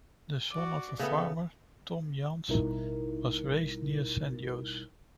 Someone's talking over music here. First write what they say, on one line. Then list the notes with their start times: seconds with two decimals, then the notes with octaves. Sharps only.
The son of a farmer, Tom Jans was raised near San Jose.
0.52 F#4 D5
0.99 C#3 B3 A4 E5
2.48 A1 B2 G3 D#4 E4 A#4